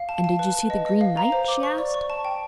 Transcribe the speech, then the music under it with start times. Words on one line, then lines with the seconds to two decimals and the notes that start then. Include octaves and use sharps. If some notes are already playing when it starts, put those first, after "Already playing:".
'And did you see the Green Knight?' she asked.
Already playing: F5
0.09 A5
0.24 A5
0.39 B4
0.55 B4
0.70 D#5
0.86 D#5
1.01 F5
1.17 A#5
1.32 C5
1.48 D6
1.63 C#6
1.78 D5
1.94 C#6
2.10 A5
2.25 G5